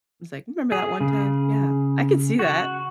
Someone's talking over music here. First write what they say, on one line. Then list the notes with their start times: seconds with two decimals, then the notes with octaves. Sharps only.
was like, "Remember that one time?" Yeah. I could see that.
0.72 G#4
1.00 C#3
2.39 F#4